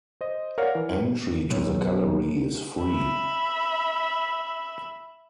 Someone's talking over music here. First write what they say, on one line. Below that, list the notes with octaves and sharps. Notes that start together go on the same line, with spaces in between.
Entry to the gallery is free.
C5 D#5
A#4 C#5 D5 F5 F#5 F6
E3
B1
E5 B5